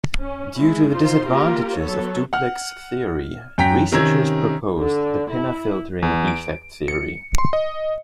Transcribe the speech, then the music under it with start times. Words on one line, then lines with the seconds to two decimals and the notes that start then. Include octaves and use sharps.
Due to the disadvantages of duplex theory, researchers proposed the pinna filtering effect theory.
0.20 C#4
0.58 G#3 E4 G#4
0.94 D#4 F4 C5 C6
1.28 A#3 F4 G4 A#4
1.80 F#3 B3 A4 C#5
2.33 F#5 F6
3.58 F#2 G5 A#5 B6
3.92 C3 D#3 C#4 A#5 E6 G#6
4.77 D3
5.31 E4
6.02 E2
6.28 D7
6.88 C#7
7.38 C6
7.53 D#5